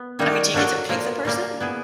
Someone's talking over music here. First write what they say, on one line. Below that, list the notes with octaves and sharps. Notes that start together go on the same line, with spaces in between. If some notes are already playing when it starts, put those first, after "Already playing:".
I mean, do you get to pick the person?
Already playing: B3
D#3 G3 A#3 D#4 F#4
F#3 A#3 D4 F#4 A4
A#2 F3 A#3
A#2 G3 A#3
B3 E4 G#4